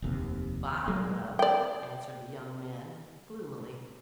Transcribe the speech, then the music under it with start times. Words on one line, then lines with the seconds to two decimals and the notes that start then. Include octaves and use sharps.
"Bottled up," answered the young man gloomily.
0.02 F1 D#2 C3
0.88 F#3 G#3
1.39 D5 G5